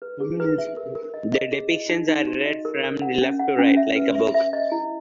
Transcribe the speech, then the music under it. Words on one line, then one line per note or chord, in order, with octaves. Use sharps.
The depictions are read from left to right, like a book.
B4
G#4
B4
E5
A#4
A#4
D#5
D#5
G#4
D#5
D#4
D#4
F#4
D#5
A#4
A#4
F#5
C#4
F#5
C#4
E5
B4
E5
E5
D#5
E4